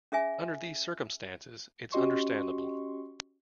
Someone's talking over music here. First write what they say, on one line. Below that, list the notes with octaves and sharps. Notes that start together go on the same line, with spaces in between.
Under these circumstances it's understandable.
C#4 G#4 E5 G#5
C#4 F#4 G4 D#5 C6 C#6